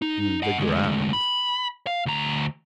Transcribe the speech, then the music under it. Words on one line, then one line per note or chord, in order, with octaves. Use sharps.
Do the grand.
D#4
D#5 F#5
D2 G#3
B5
F5
D2 A#5